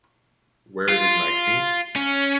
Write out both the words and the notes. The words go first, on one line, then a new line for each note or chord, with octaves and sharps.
Where is my queen?
F4
C#4